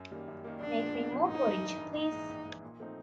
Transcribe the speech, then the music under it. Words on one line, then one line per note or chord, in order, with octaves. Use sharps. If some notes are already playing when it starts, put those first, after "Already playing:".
Make me more porridge, please!
Already playing: F#2
D#3 G3 A#3
F#2
D#3 G3 A#3
A#1 D4
A#2 F3 G#3 B3
A#1
A#2 F3 G#3 B3
G#1 D#4
G2 E3
G#1
G2 E3
A#1 D#4
G#2 E3
A#1
G#2 E3
A#2
F3 A3 C4 D#4